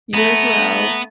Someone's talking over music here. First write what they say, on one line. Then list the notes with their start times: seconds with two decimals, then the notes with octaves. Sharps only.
You as well.
0.14 A3 B3 A#5